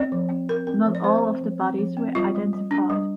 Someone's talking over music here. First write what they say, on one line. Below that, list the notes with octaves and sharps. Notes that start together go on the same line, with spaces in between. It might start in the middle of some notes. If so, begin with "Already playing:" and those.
Not all of the bodies were identified.
Already playing: C4 D5
F3
C4
C4 A#4
C4 A#4
F3
D5
C4 C5
C4
F3
C4
F3
C4
G3 F4
G3
G3
D4
G3